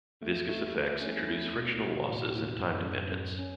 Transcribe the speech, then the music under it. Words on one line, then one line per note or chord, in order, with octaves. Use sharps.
Viscous effects introduce frictional losses and time dependence.
A3
A3
A3
C#4
E4
B2
F#4
A2
A2
F#2
F#2
F#2
C#4